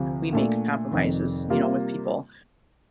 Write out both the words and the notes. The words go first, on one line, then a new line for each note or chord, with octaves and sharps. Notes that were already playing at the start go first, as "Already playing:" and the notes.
we make compromises, you know, with people.
Already playing: D2 C3 F3
A#2 A3 D4
F1 F2 D#3
C3 G3 A#3 F4